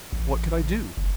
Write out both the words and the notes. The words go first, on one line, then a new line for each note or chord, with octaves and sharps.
What could I do?
A1
F#1